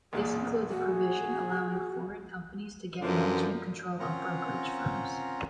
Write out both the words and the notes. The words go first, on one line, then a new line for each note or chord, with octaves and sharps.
This includes a provision allowing foreign companies to get management control of brokerage firms.
B1 E2 A#2 G#4
F#4 G#4
F#2 D3 E3 F3
C4 C#4 F4 A#4 F#5 A#5